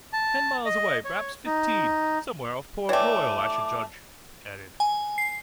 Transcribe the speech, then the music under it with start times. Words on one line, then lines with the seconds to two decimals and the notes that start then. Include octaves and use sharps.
"Ten miles away, perhaps fifteen--somewhere off Port Royal, I should judge," Pitt added.
0.13 A5
0.65 D#5
1.05 C#5
1.46 D#4
2.89 E3 A3 C#5 D5 G5 D6
4.80 G#5
5.18 C7